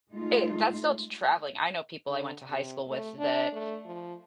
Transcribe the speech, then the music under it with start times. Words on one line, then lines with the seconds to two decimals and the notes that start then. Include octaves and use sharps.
Eh, that's still t traveling, I know people I went to high school with that
0.11 G#3 A3 D#4 F4
2.08 D3
2.50 C3
2.88 A3
3.19 D4
3.53 A3
3.85 F3